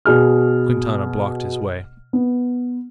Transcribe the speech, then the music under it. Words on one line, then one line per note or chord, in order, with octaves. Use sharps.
Quintana blocked his way.
B2 G#4 F6
B3